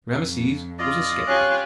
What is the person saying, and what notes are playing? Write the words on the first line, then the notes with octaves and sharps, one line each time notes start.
Rameses was a sceptic.
F2
F4 D5 D#5
C#4 F4 G4 G#5 F#6